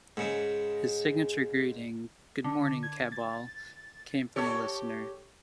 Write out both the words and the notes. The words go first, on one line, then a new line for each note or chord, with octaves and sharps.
His signature greeting, "Good morning, cabal," came from a listener.
G#2 C#3
D3
G#6
A6
G4 A4 C#5